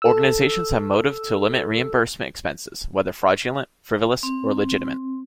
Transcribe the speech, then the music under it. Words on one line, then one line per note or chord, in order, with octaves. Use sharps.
Organizations have motive to limit reimbursement expenses, whether fraudulent, frivolous, or legitimate.
A4 E6
C4